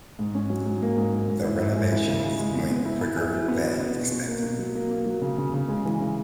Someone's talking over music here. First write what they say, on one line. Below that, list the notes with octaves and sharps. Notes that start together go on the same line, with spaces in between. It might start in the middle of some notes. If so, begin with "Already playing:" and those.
The renovation went quicker than expected.
G#2
C#4
F#3
G#2
A#3
G#2
A#3
G#2
E4
E4
G#3
E4
C#3
G#3
G#3
B3
B3
E4
E4
G#4
F#3
B3
B3
B3
B2
B2
A#3
B2
F#3
A#3
A#3
F#3
C#3
C#3
C#3
G#3
E3
C#3